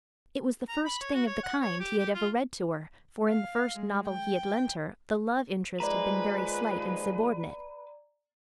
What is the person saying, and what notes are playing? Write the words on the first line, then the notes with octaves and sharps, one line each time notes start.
It was the first thing of the kind he had ever read to her, for in the first novel he had lent her the love interest had been very slight and subordinate.
A#5
B5
C#5
F#4
C#5
F#5
C#5
G4
G4
F4
F5
G#3
G5
D#2 F3 G#3 B4 D5 A#5